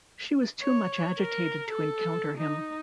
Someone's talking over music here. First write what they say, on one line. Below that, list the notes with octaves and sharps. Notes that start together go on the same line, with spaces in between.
She was too much agitated to encounter him.
C#5
A#4
A4
D#4